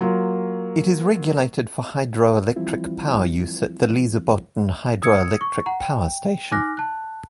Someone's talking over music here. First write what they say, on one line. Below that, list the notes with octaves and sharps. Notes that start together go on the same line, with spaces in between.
It is regulated for hydroelectric power use at the Lysebotn Hydroelectric Power Station.
F#3 A#3 F4
E3 F3 G3 C4 E4 F4
D#6 E6 G#6 C#7
C#6
F#5 A#5
G5
D#4 G#5 D6 F6 F#6 A#6
A5 F#6